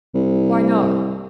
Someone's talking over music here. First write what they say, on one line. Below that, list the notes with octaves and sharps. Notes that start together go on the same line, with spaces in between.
"Why not?"
C2